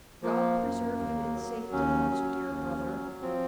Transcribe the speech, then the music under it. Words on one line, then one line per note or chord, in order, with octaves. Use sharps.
God preserve you in safety, most dear brother!
F3 A#3
F#2
D#2
F#3
D#2 C#4
F#3
D#2
F#3
F3 C4